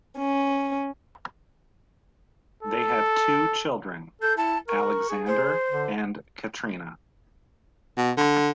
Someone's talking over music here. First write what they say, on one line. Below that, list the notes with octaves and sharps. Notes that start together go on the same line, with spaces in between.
They have two children, Alexander and Katrina.
C#4
A4
A4 G6
E4 A5
A#4 C#6
G#4
C5
D3
B2
D3